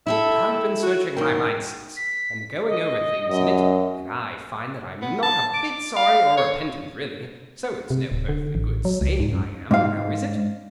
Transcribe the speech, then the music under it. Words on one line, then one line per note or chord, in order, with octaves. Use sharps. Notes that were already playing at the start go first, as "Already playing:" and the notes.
But I've been searching my mind since, and going over things in it, and I find that I'm not a bit sorry or repentant really, so it's no earthly good saying I am; now, is it?'
E4 G4 A4 E5
F#4
E2 G#2 A#4 G5
B6
D#5
F#2
B3
A5
D6
F5
C#5
C3
D1
D3
A1
F#3
C#2
G#2
F#2
G#2 F5